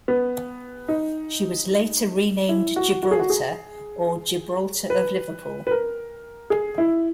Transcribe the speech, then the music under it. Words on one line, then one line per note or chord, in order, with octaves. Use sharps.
She was later renamed Gibraltar or Gibraltar of Liverpool.
B3
D#4
E4
F#4
F#4
G#4
F#4
G#4
B4
B4
A#4
G#4
E4